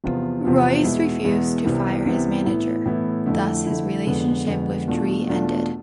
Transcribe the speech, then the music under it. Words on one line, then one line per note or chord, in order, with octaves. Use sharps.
Royce refused to fire his manager, thus his relationship with Dre ended.
E2 C3 F3 B3 F4
E2 C3 F3 B3 F4
E2 B2 G#3 B3 E4
E2 B2 G#3 B3 E4
C2 C3 E3 B3
C2 C3 E3 B3
A2 E3 B3 E4
A2 E3 B3 E4
F2 D3 A3 E4
F2 D3 A3 E4
F2 D3 G#3 B3
F2 D3 G#3 B3
E2 B2 A3 D4 F4
E2 B2 A3 D4 F4